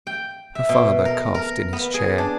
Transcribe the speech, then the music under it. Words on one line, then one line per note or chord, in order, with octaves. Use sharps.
Her father coughed in his chair.
G5
E5
B2
A#4
A#4
B3
G#4
D4